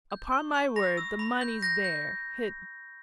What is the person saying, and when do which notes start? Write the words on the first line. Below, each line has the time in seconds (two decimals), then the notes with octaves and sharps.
"Upon my word, the money's there, hidden."
0.11 G6
0.32 C#6
0.55 C#6
0.76 B5 A#6
0.97 E6
1.19 B5
1.41 G6
1.63 G6 A#6
1.84 G6